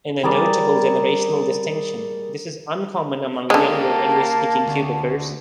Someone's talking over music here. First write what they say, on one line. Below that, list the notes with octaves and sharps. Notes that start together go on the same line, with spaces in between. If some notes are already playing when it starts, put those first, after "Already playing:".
In a notable generational distinction, this is uncommon among younger English-speaking Quebecers.
G3 G#4 A#4 D5
D3 G#3 A#3 G4 A4 A5
D2